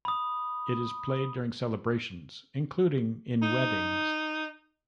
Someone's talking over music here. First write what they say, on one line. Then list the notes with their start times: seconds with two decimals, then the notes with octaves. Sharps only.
It is played during celebrations including in weddings.
0.05 B5 D#6
3.42 D#4